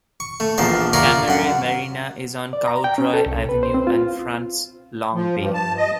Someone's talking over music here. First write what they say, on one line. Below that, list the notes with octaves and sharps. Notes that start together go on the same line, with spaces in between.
Cammeray Marina is on Cowdroy Avenue and fronts Long Bay.
C#6
A3
A#1 E2 F3 A#3 A5
F4 A#4 C#5 D5 E5
F#2 F#5
D5
A#5
G5
C#4
A4
C2
B4
C5
C4
F4
F3
G2
A5
D#5